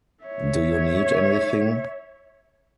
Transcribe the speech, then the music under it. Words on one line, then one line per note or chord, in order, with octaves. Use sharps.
Do you need anything?
C#5 E5